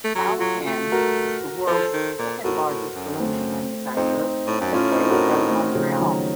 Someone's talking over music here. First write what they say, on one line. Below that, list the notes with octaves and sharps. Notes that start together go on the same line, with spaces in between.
Alcan is the world's second largest aluminium manufacturer and is based out of Montreal.
A3
F#3 A4
F#4
F#3 F4 A4
A3
F#4 A#4
F3 A4 C5
D#3
A#2
A2 F#4 A#4
A2
F#2
A3 C4
F2 C4 D#4
A2
F#2
A2 C#4 F4
C4 D#4
F#4 A#4
C4 D#4
A3 C4
C#3 F3
D#3 F#3